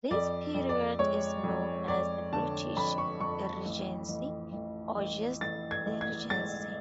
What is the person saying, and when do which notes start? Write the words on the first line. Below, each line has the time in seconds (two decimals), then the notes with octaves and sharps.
This period is known as the British Regency, or just the Regency.
0.11 F2 D5
0.55 F2
0.69 D5
0.99 G#3 C#5
1.44 F2
1.88 F2 D5
2.33 D3 A5
2.76 F2 B5
2.98 C#6
3.20 F2 C#6
3.65 A1
4.09 A1
4.53 A1
4.97 A1
5.41 A1 A6
5.71 G#6
5.86 A1
6.01 G#6
6.30 G#3 A6